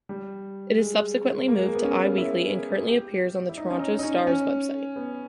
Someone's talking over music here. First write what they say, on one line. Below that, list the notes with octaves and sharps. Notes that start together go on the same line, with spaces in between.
It subsequently moved to "Eye Weekly", and currently appears on the "Toronto Star's" website.
G3
G#3
A#3
G#3
A#3
B3
C#4
E4
G4
E4
D#4
C#4
D#4
D#4
C#4
C#4
B3